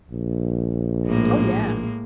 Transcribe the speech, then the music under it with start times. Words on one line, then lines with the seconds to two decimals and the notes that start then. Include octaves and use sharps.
Oh, yeah.
0.11 A#1
1.06 A2 G#3 A#3